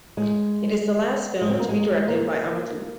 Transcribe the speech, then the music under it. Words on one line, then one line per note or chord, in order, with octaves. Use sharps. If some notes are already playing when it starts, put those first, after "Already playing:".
It is the last film to be directed by Amateau.
G#3
G#3
C4
A#3
G#3
A#3